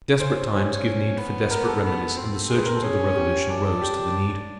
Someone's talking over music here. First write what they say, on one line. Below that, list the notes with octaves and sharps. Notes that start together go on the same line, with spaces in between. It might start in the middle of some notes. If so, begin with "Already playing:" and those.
Desperate times give need for desperate remedies, and the surgeons of the Revolution rose to the need.
C#4 C5
C#4
B3
A#4
A4
B3
C4
G#4
B4
A#4
A4
C#4 G#4
G4
D4
G4